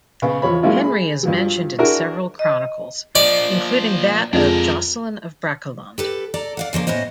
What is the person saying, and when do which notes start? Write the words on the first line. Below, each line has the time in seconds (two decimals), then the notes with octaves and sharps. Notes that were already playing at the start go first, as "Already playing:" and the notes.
Henry is mentioned in several chronicles, including that of Jocelin of Brakelond.
0.22 C#3 B3
0.42 E2 F3 C#5 B5
0.62 F#3 G#3 A#3 C#4 E4 F4
0.84 G#4 B5
1.23 G2 F3 F#3
1.79 D4 E4 F#4 G#4 A#4
2.39 D#5
3.15 A#2 F3 D5 D#5
4.33 F2 G#3 D4 F4 A#4
5.98 G4 A4 B4
6.34 A4 D5 A#5
6.57 D5 F5 F#5
6.73 C#3 F3 A#3 D4
6.87 A2 B3 C#4 C5 D#5